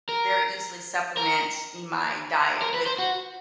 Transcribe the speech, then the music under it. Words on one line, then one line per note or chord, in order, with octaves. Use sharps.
very easily supplement in my diet with
A#4
A#4
A#4
B4
C5
F#4